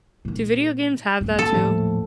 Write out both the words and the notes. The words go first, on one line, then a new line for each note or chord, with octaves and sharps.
Do video games have that too?
A#2 D#3
D#1 F#3
A4
A2 F3 A3